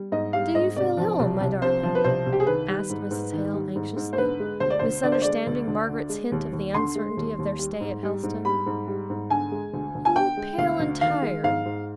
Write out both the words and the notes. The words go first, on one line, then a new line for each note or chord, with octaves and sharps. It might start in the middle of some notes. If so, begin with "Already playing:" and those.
'Do you feel ill, my darling?' asked Mrs. Hale, anxiously, misunderstanding Margaret's hint of the uncertainty of their stay at Helstone. 'You look pale and tired.
Already playing: G3
G#2 D#5
G3 F5
G#2 D#5
C3 D5
F3
C2
C2
C3 C5
F3
B4
C2 C5
C2
G4
G#4
D#3 B4
G3
G#2
G#2
D#3
G3
G#2
G#2
C5
D3 B4
G#3
D2 C5
D5
D2 C5
D3 D5
C5
G#3 D5
D2
D2
D3
G#3
D#2
D#2
D3 C6
G#3
D#2
D#2
G3
G#2
G3
G#2
G3 B5
G#2
G3
G#2
D3 G#5
G#3
D2
D2
G#5
D3 G5
G#3
D2 F5
D2
D#3 F5
G#3
G#2 F5
G#2